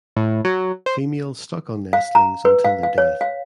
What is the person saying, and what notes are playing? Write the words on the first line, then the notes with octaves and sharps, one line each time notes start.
Females stuck on nestlings until their death.
A2
F#3
C5
F5
A#5
B4
F5
F5
C#5
F5